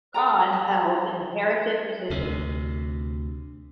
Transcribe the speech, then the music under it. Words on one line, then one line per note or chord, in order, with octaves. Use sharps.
Khan held an inherited position.
A4 D5 G5 A#5
A5
D2 C3